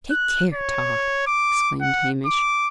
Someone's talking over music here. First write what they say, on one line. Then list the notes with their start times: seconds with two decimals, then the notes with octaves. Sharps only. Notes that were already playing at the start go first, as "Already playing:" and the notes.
"Take care, Tod!" exclaimed Hamish.
0.11 F#6
0.54 C#5
1.27 D6
1.81 F#5
2.26 D6